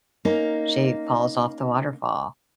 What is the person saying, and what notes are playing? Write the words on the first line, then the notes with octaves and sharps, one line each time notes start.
she falls off the waterfall.
A#3 C#4 D#4